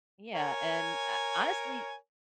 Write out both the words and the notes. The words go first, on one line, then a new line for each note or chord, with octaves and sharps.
Yeah, and, h honestly,
A#4 C#5 G#5